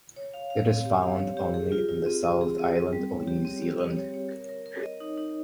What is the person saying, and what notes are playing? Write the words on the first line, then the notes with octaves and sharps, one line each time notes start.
It is found only on the South Island of New Zealand.
C#5
F5
F5
C4
G4
F5
C#5
G4
G#4
F4
F4
C4
C4
G#4
C4
C4
G3
C#5
G4
C4
G4
C4
C#5
C#5
A#4
A#4
A#4
D#5
D#4
D#4